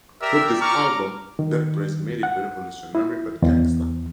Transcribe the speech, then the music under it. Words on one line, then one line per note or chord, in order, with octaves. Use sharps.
With this album Dead Prez made it Revolutionary But Gangsta.
G4 A#4 D5 E5 E6
A#5 C#6 D6 F6
D#3
F#5
E4
E2